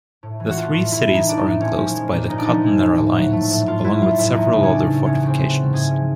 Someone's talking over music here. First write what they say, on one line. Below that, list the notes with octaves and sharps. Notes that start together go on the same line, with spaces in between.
The Three Cities are enclosed by the Cottonera Lines, along with several other fortifications.
A2
E3
F#4
A3 F4
A2
A2 E4
E3
D#4
A3 D4
D#4
A2
A#2 C#4
F3
G#3
A#2
A#2 D#4
D4
F3 D#4
G#3
A#2
A2
F#3
A3
A2
A2 F4
F#3 E4
A3 F4
A2 E4
E2 D#4
C#3
C#4
F3 D4
A3
E2 C#4
C#3
C4
F3
F#4
A3
G#2 G#4
F3